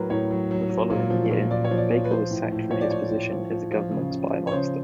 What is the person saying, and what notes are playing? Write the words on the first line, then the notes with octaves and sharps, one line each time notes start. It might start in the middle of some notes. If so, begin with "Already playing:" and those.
The following year, Baker was sacked from his position as government spymaster.
Already playing: A2 F#3 A#4 B4
A2 C#5
F#3
F#3
F#3
A#2
F3
A#2
A#2 D5
C#5
F3
D5
F3
B4
F3 C5
A2
A2
F3 C#5
D5
A2 C#5
A2
F3
F3
F3
C#3
C#3
F3
C#5
C#3 C5